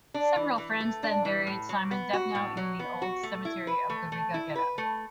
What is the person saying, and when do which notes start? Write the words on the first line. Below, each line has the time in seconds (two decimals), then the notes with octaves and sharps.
Several friends then buried Simon Dubnow in the old cemetery of the Riga ghetto.
0.14 D4
0.36 E3
0.58 E3
0.81 A3
1.03 D4
1.25 E3
1.47 A2
1.69 F#3
1.91 B3
2.13 F#4
2.35 A2
2.57 F#3
2.79 B3
3.02 F#4
3.23 A3
3.45 E4
3.67 B4
3.90 A3
4.12 A3
4.34 E4
4.56 B4
4.78 A3